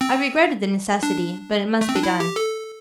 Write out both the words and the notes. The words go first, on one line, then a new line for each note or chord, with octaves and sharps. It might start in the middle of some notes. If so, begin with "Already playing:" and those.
I regretted the necessity, but it must be done.
C4
D4
A3
C4
D4
E4
G4
A4